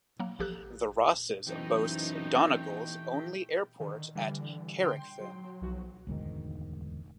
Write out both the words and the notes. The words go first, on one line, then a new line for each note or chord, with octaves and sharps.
The Rosses boasts Donegal's only airport at Carrickfinn.
F#3 A#3
A1 F3 G4 A4 F#6
F#2 E3 A3 B3 C4 D#4 G4 G5
D3 D#3
D3 E3 G3
G5 C6
F#3
B1 F3 F#4
E1 D2 G#2 D#3